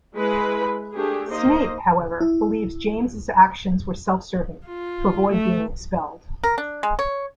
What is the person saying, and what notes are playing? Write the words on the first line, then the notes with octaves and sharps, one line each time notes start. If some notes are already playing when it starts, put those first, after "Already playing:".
Snape, however, believes James's actions were self-serving, to avoid being expelled.
G#3 E4 B4 B5
A3 D4 G4 G#4
A#3 D#4 C5 D#5
E4
F4
A3
A#4
D4
G#3
C#5